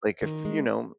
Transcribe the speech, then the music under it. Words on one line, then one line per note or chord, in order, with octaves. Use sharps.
Like, if you know,
D#3
G#3